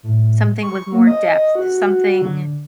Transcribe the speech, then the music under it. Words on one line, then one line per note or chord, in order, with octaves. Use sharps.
Something with more depth. Something
A2
C#6
A#3
D#5
F#4
D3